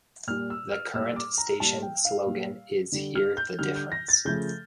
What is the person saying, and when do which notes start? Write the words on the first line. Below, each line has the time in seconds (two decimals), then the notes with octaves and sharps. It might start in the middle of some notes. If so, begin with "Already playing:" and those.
The current station slogan is "Hear the Difference".
0.27 A#2 G3 F6
0.50 E6
0.72 F6
0.94 A#2 G3 E6
1.16 D6
1.38 A#5
1.60 A#2 G3 A5
1.82 G5
2.05 F5
2.26 A#2 G3
2.92 D3 G3
3.15 F6
3.37 G6
3.59 D3 G3 F6
3.76 G6
3.92 A#6
4.09 A6
4.25 C#3 F3 A3 G6